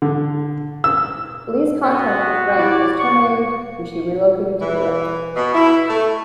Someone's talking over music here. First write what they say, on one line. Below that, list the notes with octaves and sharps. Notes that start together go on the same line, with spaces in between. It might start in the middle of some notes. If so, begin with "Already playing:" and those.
Lee's contract with Rank was terminated and she relocated to Europe.
D3
E6
B3 F#4
E4 G4 D5
C#6
E3
B2
E4
A3